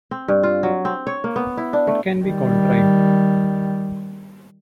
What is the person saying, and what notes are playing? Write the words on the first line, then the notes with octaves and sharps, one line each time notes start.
It can be contrived.
C4
G2
F4
F#3
C4
C#5
A#3
B3
E4
D4
A3
D#3 G3